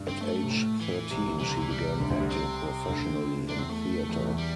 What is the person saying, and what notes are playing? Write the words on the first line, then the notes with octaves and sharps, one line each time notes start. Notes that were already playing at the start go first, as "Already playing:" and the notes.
At age thirteen, she began acting professionally in theatre.
Already playing: G2
C4
A3
C3
A2
E3
C2 C3
C2 C3 E3
D3
E3
G3
D2 D3
D2 D3
C2 C3
C4
D2 D3
E2 E3 D4
C4
A3
E2 E3
E2 E3
G3